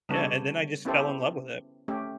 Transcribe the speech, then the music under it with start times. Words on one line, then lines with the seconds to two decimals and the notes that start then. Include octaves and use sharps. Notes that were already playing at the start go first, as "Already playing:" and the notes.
Yeah, and then I just fell in love with it.
0.09 C#3 G3 B3 D4 A4 C#5
0.85 B3 C#4 E4 G4 A4 C5
1.88 A3 C#4 G4